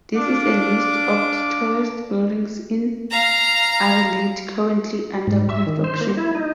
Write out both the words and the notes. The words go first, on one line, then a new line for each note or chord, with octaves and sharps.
This is a list of the tallest buildings in Adelaide currently under construction.
D4 F5 D6
F5 A#5
G#2
E5
D#3
C5
A#3
E4
D#4